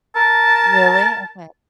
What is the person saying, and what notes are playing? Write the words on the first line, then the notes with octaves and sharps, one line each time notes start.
Really? Okay.
A#4 A5